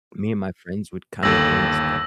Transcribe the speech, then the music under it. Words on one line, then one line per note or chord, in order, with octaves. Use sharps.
me and my friends would kind of go into
G1 D#2 A4 E6 A#6 F#7